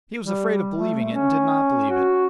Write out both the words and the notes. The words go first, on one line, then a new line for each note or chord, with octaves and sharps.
He was afraid of believing it and did not believe it.
G3
A3
C#4
F#4